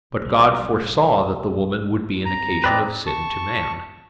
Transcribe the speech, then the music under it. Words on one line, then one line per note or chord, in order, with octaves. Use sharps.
But God foresaw that the woman would be an occasion of sin to man.
B1 F3 G3
G2 C4 A#5
E2 A2 C4 B4 D5 D#5
A5 C#6